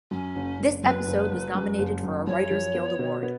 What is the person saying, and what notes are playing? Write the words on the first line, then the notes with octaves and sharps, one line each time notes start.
This episode was nominated for a Writers Guild Award.
F#2 C#4
F#1
F#1
F#2 B4
F#1
F#2
F#2
F#1
F#2
F#2 C#5
F3
B3
B2
B3